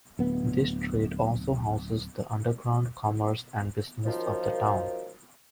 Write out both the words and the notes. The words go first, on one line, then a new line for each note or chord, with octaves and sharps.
This street also houses the underground commerce and business of the town.
D1 B3
F#2 D#3 F3